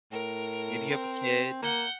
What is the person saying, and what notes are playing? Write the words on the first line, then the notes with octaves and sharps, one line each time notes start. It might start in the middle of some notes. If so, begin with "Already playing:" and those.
maybe you have a kid,
A2 A#4
C4
A#3 F#5 G6